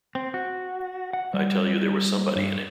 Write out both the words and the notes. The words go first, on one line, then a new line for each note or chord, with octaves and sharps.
I tell you there was somebody in it.
C4
F#4
F#5
G3
G2